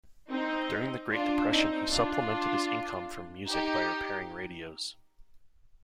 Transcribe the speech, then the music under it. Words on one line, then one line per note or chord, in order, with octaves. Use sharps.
During the Great Depression he supplemented his income from music by repairing radios.
C4 D#4
D4 F4
C4 D#4
D4 F4
D#4 G4